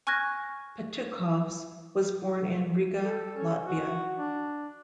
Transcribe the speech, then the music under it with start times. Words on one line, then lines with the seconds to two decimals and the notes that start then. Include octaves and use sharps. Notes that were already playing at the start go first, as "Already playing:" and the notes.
Petukhovs was born in Riga, Latvia.
0.07 G#5 C#6 F6 F#6 G#6 A#6
3.03 A4
3.37 C#4
3.67 F#4
4.18 D4